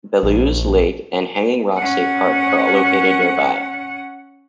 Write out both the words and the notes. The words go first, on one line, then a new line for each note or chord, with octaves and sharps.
Belews Lake and Hanging Rock State Park are located nearby.
A#1
C#4 F#5